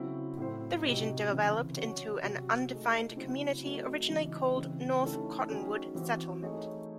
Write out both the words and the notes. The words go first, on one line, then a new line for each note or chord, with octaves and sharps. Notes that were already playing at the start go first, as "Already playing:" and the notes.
The region developed into an undefined community originally called North Cottonwood Settlement.
Already playing: C#3 F#3 C4 E4
A2 F#3 C4 E4 C5
C3 F#3 C4 D#4
C#3 E3 C4
F#3 C#4 F#4 C#5
C3 F#3 C4 F#4
A3 D#4 G#4
C#3 F#3 C4 E4 C5
F#3 A3 C4 D#4 F#4
C#3 E3 G#3 D#4
C#3 E3 C4
D#3 A3 C#4 E4 A4
D#3 F#3 C#4 G#4
E3 C4 F#4
A3 D#4 G#4 C#5